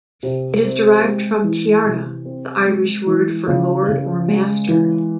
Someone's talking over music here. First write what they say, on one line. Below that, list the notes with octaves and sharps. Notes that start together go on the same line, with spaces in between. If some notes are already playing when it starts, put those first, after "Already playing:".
It is derived from "tiarna", the Irish word for lord or master.
C3
C4
G#3
E3
C3
C4
G#3
E3
C#3
C#3
G#3
E3